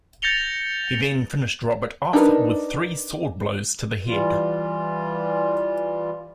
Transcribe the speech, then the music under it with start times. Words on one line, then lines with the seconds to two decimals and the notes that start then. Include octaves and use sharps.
He then finished Robert off with three sword blows to the head.
0.22 G6 A6 A#6 C#7 F7 G7
2.13 D4 D#4 G#4 A#4 B4
4.07 E3 G3 F4